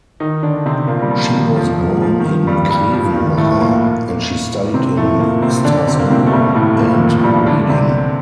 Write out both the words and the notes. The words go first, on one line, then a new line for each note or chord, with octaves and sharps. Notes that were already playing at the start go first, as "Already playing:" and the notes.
She was born in Grevenmacher, and she studied in Strasbourg and Reading.
D#3 D#4
D3 D4
C3 C4
A#2 A#3
G3
F3
D#3
F3
F3
F3
D#3
F3
G2 G3
G2 G3
F3
D#3
A2 A3
A#2 A#3
C3 C4
A2 A3
A#2 A#3
C3 C4
C4
D3 D4
C3 C4
A#3
C3 C4
A3
G2 G3
A2 A3
A#2 A#3
D#3
F3
F3
G2 G3
D3 D4
C3 C4